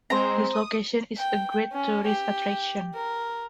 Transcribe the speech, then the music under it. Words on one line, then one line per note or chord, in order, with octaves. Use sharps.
This location is a great tourist attraction.
G#3 C4 C5 A#5
D#6
G5
C#4
G4
A#4